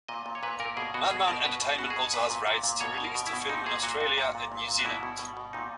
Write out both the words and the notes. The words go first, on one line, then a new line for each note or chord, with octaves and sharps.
Madman Entertainment also has rights to release the film in Australia and New Zealand.
A#2 D#5
A#2
C#5
A#2 B4
A#2 A#4
B2 G#4
B2 F#4
B2 G#4
B2 A#4
B2 B4
B2
B2 F#4
G#4
B2
A#2 B4
A#2
A#2
A#2
B2 C#5
B2
A#4
B2
E4
B2
A#2 D#4
A#2 G#4
A#2 F#4
A#2 F#4
A#2
A#2
A#2
A#2
F#4
B2 E4
B2
B2
B2
A#2 D#4